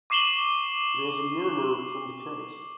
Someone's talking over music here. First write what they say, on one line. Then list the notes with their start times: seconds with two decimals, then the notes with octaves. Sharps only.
There was a murmur from the crowd.
0.10 C#6 D6 C7 E7 F#7 G7